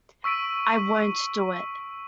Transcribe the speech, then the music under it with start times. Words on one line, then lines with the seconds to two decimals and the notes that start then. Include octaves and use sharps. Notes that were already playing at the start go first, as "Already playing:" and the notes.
I won't do it.
0.24 C#6 E6 B6 D7 D#7